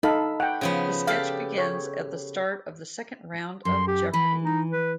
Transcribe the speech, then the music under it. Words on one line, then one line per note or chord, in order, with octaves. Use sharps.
The sketch begins at the start of the second round of Jeopardy!
D#4 A4 F5 B5
F#5 G5
C#3 F3 B3
G4 A4 F5 B5
C#5
F#2 C6
G4
E3 B5
D#4
B4